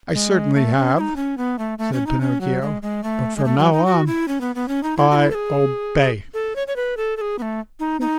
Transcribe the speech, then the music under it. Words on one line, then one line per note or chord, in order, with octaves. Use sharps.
"I certainly have," said Pinocchio, "but from now on, I obey."
G#3
A3
C#4
E4
D#4
C#4
B3
A3
A3
C#4
D#4
C#4
F#3
G#3
G#3
A3
G#3
A3
F#3
D#4
F#4
E4
C#4
B3
B3
C#4
D#4
E4
F#4
E4
A4
G#4
A4
C#5
C#5
B4
A4
A4
G#4
B3
A3
D#4
D#4